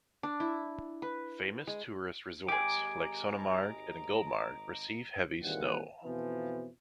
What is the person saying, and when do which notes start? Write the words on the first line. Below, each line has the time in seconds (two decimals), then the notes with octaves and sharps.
Famous tourist resorts like Sonamarg and Gulmarg receive heavy snow.
0.23 D4
0.40 E4
1.02 B4
1.67 G#3
2.48 G#1 G4 G#4 D#5 A#5 D6
5.42 G#1 D#2 A#2 E3 G3 F#5
6.03 F2 B2 E3 F3